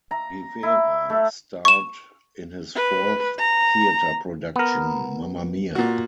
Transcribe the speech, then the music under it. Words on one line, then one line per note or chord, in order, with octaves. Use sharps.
Rivera starred in his fourth theater production, Mamma Mia!
A#5
E4
A3
C#6 E7
B4
A#5
B3 A#4
A#2 F#4